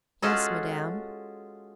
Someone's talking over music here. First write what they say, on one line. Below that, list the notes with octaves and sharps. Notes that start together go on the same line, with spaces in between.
"Yes, Madame."
G#3 C#4 F4 F#4 G#4 A4